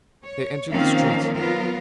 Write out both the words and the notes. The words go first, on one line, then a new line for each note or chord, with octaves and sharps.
They entered the street.
C#5
D#3 F3 A#3 C4 C#4 F5
F#3 B3 F4 A#4